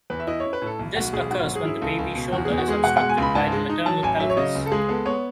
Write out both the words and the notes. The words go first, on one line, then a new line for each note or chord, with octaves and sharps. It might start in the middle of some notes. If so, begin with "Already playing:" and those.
This occurs when the baby's shoulder is obstructed by the maternal pelvis.
E2 B4
E5
E4 D#5
C#4 C#5
B4
A2 A4
B1
B1 F#4
B1 G#4
G#2 F#4
F#3
G#4
E4
C#2 A4
C#2
B2
E2 F#4
E2 G#4
F#4
G#3 G#4
B2 F#5
G#3 F#5
G#5
C#2 B5
G#2 A5
G#3
D#4
F#3 A5
A1 G#5
F#3 E5
C#5
C#3 D#5
C#2
A4
G#3 G#4
B3 A4
B3 C#5